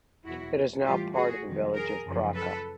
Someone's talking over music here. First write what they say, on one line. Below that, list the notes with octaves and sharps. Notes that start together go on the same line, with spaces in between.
It is now part of the village of Krka.
E2 B2 F#3 E4 F#4
A2 E3 G3 F4 G4
F#4 G#4
F2 C3 D#3 G3
G#4 A#4
F#2 C#3 F3
A4 B4